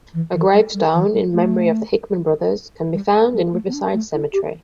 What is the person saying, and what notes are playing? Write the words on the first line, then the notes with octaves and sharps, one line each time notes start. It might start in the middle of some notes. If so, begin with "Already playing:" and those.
A gravestone in memory of the Hickman brothers can be found in Riverside Cemetery.
E3
E3
G3
G3
E3
G3
A3
G3
G3
A3
B3
D4
A3
E4
G4